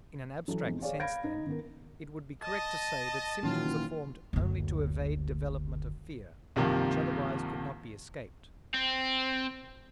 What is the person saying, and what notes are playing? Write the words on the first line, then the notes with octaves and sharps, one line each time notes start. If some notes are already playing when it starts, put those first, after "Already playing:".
In an abstract sense, then, it would be correct to say that symptoms are formed only to evade development of fear, which otherwise could not be escaped.
E3 F#3 A4
F2 G#2 B2
G#4 C#5 D5 F5 G#5
F5 B5 G6 G#6 A#6 D7
D#4
D#3 B3 A#4
D#5 A5
A#2 D#3 E3 F#3 C#4 F4
F#1 D2
C2 G2 C3 D#3 F3 A#3
C4